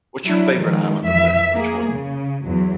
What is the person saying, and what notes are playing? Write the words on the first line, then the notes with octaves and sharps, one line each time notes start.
What's your favorite island over there? Which one?
F#3 D4 E4
D#3 F3 G#3
F2 E3 E5
A#3 G#4
C#3
E2 F#3